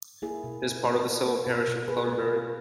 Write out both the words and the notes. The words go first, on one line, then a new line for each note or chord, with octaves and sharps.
It is part of the civil parish of Clunbury.
A#3 E4 G#4
B2
A#3
A#3
A#3
A#3
B2
B2
A#3 G#4 B4
A#3